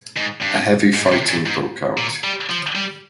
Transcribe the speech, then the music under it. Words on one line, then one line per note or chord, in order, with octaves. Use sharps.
A heavy fighting broke out.
G#2
G2
G#2
C3
A#2
G#2
A#2
G3
F3
G3